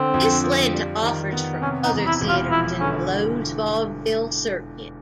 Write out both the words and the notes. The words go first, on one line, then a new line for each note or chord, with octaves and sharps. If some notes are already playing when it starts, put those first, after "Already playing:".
This led to offers from other theaters in the Loew's Vaudeville circuit.
Already playing: D3 C4
F2
F3
G3
D#3
B3
C3 C#4
D#4
E2
E4
E1
F4
F3 E4
D3 C#4